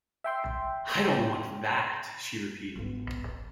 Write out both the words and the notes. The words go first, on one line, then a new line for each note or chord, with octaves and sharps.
"I don't want that," she repeated.
E5 G5 C6
G#1 B3